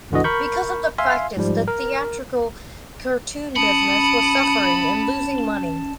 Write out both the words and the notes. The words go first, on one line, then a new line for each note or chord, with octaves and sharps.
Because of the practice, the theatrical cartoon business was suffering and losing money.
G1 C#2 D3 E3 F#4 D#5
A#4 B5 C#6 G6
E5 F5 G#5 C6
G#2 F3 G3
A#4
C#4 A5 B5 D#6 C#7